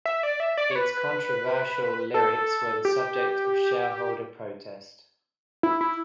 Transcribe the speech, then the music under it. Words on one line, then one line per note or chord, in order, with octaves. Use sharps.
Its controversial lyrics were the subject of shareholder protest.
E5
D5
E5
D5
C#5
B4
A4
G4
E4
E4